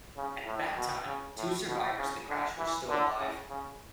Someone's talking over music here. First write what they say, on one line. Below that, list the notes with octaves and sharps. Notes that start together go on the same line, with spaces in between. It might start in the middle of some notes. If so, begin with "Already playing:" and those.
At that time two survivors of the crash were still alive.
C#3
A2
B2
C#3
A2
B2
C#3
D3
E3
D3
C#3
C#3